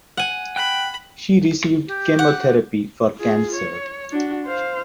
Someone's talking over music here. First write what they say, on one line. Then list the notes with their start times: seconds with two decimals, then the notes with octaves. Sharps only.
She received chemotherapy for cancer.
0.17 F#5 G#5
0.56 G5 B5 F#6
1.87 G4
2.19 F#5
3.17 F4 G#4
3.55 C#5
4.12 D4 F#4
4.46 C5 F5